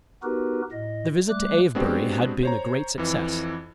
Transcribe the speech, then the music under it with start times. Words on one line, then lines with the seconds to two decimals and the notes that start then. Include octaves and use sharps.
The visit to Avebury had been a great success.
0.23 B3 D#4 F#4 G4 A#4 B4
0.72 A2 D#5
1.29 G3 A3 D6 F#6
1.75 G#3 B3 C4 D4 F#4 G4
2.43 C5 C#5 A#5
2.98 F2 E3